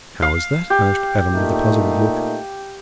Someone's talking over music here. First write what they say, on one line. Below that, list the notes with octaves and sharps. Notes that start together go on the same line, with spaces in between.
"How is that?" asked Adam with a puzzled look.
F5
G4
A#2 A3 D#4